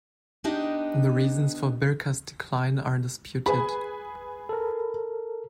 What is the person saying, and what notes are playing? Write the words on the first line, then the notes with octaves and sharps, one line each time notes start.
The reasons for Birka's decline are disputed.
B3 D4 D#4 G4 D#5
G#4 B4 G#5 B5
A4 A#4